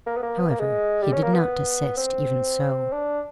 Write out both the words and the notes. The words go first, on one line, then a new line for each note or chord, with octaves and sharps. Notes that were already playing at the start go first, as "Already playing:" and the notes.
However, he did not desist even so.
A#3
B3
A#3
B3
A#3
G#3
G3
C#4
A#3
B3
C4
D4